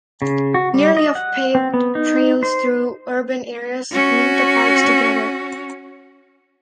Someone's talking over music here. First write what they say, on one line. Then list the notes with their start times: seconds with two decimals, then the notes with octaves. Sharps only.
Nearly of paved trails through urban areas link the parks together.
0.22 C#3
0.54 F#4
0.74 G3
0.97 D#5
1.15 F#5
1.55 C4
1.74 B3
1.95 D#4
2.43 C5
3.92 C#4 F#4